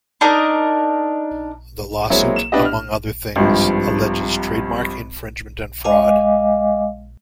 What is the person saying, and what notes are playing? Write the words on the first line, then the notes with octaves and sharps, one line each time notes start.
The lawsuit, among other things, alleges trademark infringement and fraud.
D4 D#4 A#4 D#5
F#3 G#3 A#3 C4 E4
E7
B3 D4 E4 G4 D#5
F6
G#1 G2 F3
G#3 D#5 F5 G#5 D6